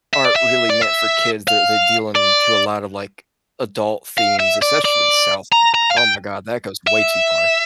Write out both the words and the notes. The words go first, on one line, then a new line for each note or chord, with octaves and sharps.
aren't really meant for kids. They're they're dealing to a lot of, like, adult themes, especially South Park. Oh, my God, that goes way too far.
E5
D5
E5
D5
E5
F5
D5
F5
E5
D5
D5
A#5
A#5
F5
G5
E5